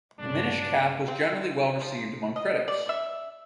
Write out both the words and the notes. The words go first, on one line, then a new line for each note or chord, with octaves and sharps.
"The Minish Cap" was generally well received among critics.
G2 A#2 C#3 D4
C4
F3
D#5
D5
E5